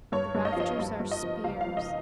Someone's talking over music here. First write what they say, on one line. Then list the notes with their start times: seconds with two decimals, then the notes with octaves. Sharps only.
The rafters are spears.
0.12 G2 C#5
0.34 G2
0.45 D#5
0.52 F5
0.57 F3 D#5
0.79 G2
1.00 G2
1.11 D#5
1.23 F3
1.44 C#2 F5
1.61 F5
1.66 F3
1.77 D#5